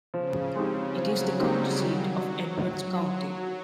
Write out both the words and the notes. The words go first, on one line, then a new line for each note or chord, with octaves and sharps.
It is the county seat of Edwards County.
C#3 F3
G#3 C4 D#4 G4
F3 F#3
G3 G#3 C4 D#4 G4
D#3 F#3